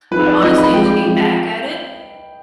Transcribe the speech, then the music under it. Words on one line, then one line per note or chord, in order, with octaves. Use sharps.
but honestly, looking back at it
F3 C4 D#4 G#4 B4
D5
F3 C4 D#4 G#4 D#5
B5
F3 G#3 C4 F4 G#4 G5
F3 G#3 C4 F4 G#4